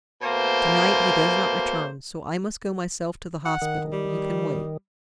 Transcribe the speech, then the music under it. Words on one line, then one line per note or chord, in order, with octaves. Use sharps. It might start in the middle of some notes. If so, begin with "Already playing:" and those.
"To-night he does not return, so I must go myself to the hospital--you can wait."
B2 A3 A#3 C5
F#5
D#3
G3